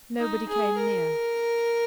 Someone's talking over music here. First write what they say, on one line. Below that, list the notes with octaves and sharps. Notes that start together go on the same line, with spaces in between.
Nobody came near.
D#4
G#4
A#4